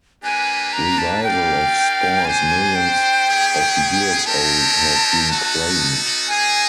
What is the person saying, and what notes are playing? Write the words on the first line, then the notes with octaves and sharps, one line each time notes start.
Revival of spores millions of years old has been claimed.
A#3 D4 G4 B4 G#5
A#5
A5
D4 G4 A#4 D5 F5 G5
D4 G4 C5 G#5
G5
B3 E4 G#4 C#5
C4 D#4 G4 A#4 C#5 A5
B3 D#4 F#4 A4
A#3 D#4 G#4 G#5